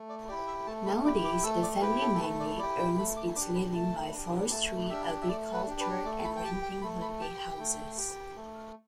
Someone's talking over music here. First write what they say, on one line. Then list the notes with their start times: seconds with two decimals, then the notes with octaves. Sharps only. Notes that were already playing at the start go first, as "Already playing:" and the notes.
Nowadays, the family mainly earns its living by forestry, agriculture and renting holiday houses.
Already playing: A3
0.09 D5
0.28 E4 G4 D5
0.47 E5
0.67 A3 A5
0.86 B5
1.05 E4 G4 D6
1.25 D6
1.44 A3 E6
1.63 D5
1.82 E4 G4 B4
2.01 A4
2.15 A4
2.20 A3 B4
2.40 D5
2.59 E4 D5
2.62 G4
2.79 G5
2.98 A3 B5
3.17 D6
3.36 D4 D6
3.41 G4
3.55 B5
3.74 A3 A5
4.12 D4
4.18 G4
4.51 A3 A5
4.90 D4 G4 E5
5.22 E5
5.29 A3 D5
5.54 B4
5.67 D4 G4
5.80 B4
6.05 A3 D5
6.24 B5
6.36 G5
6.44 G4 A5
6.63 G5
6.82 A3 B5
7.02 B5
7.21 G4 A5
7.39 G5
7.59 A3
7.98 G4
8.36 A3